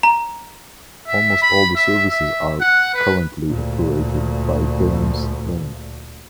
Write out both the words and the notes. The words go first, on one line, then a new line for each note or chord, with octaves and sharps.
Almost all the services are currently operated by Thameslink.
A#5
E5
B5
E5
E5
F#5
B4
D2 A#2